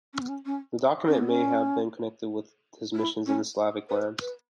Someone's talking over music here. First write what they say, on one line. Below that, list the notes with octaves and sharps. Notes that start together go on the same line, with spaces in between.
The document may have been connected with his missions in the Slavic lands.
C#4
B3
C#4
C#4
C#4
B3
C#4
E4
C#4
B4
B4